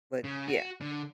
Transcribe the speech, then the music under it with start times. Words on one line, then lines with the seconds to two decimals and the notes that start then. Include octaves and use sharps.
but, yeah,
0.24 C#3
0.48 F#4
0.81 D3